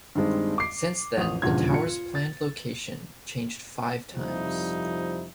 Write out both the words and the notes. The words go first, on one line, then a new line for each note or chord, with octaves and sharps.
Since then, the tower's planned location changed five times.
G2 D#3 G3 G#3 C4
D6 C7
A1 F2 D#6 F7
D#1 E2 G2 A#2 C#3 G#6
F4 C#7
A6
F2 C3 F3 G3 D#4 E4